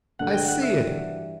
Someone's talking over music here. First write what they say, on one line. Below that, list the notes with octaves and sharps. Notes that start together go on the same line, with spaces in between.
I see it!
G2 D3 A3 D4 A4 F#5
G5
F#5
E5
G2 E3 G3 D4 F#4